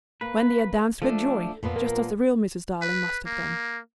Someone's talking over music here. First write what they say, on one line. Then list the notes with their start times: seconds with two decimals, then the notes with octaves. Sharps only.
Wendy had danced with joy, just as the real Mrs. Darling must have done.
0.21 A#3 B4
1.02 F3 A3 D4 A4
1.63 F2 A#2 F3 B3
1.76 A#3 A#4
2.82 B4
3.26 A#3